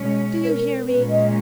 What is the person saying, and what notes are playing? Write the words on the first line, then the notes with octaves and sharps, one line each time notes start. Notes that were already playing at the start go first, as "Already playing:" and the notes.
Do you hear me?
Already playing: B2 G#3 C#4
B4
A#4
A#2 G#3 C#4 B4
D#5